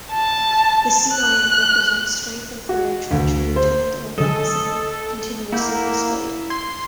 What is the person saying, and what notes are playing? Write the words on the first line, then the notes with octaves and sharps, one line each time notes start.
The sea lion represents strength and courage which Lieutenant Lassen continuously displayed.
A5
F#6
F#4
D2
C5
D3 F#3 A4 D#5
A#3 E4 F#5 G6
C6 G#6